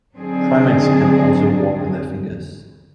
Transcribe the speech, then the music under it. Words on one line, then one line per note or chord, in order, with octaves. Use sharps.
Primates can also walk on their fingers.
D3 F#3 C4 D4 D#4 G#4